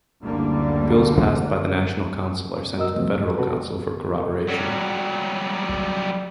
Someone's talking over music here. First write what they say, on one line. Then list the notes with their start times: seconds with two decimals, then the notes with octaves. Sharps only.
Bills passed by the National Council are sent to the Federal Council for corroboration.
0.21 F#1 D2 D3 G3 A#3
2.77 F#4 A#4 D#5 E6
2.94 C2 F2 F#3 A3 C4
3.08 G#2
3.38 B2 F#4 A4 B4
4.48 F#3 G3